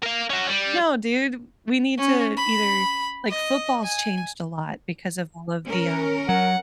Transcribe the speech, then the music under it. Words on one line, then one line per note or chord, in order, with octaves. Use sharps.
"No, dude, we need to either" Like, football's changed a lot because of all of the, um
A#4 F5
C#4 F#4
G3
C#4
B5
D#5
G#5
C#4 A#4
F#3 F#5